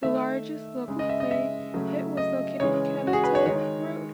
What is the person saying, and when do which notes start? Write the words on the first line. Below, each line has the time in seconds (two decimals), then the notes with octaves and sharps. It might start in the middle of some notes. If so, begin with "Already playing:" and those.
The largest local clay pit was located on Cattell Road.
0.02 D#3 A3 E5
0.88 C#3 G#3
0.99 D#5
1.09 E5
1.20 D#5
1.31 E5
1.74 C#3 F#3 A3
2.17 D#5
2.60 C#3 E3 G#3 C#5
3.07 F#4
3.13 G#4
3.24 B4
3.35 C#5
3.46 D#3 G#3 C#5